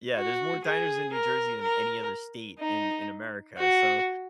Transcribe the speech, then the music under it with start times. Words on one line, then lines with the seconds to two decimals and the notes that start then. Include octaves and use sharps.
Yeah, there's more diners in New Jersey than any other state in in America, so,
0.15 F#4
0.64 G#4
1.13 A#4
1.61 A#4
2.59 D#4
3.57 F#4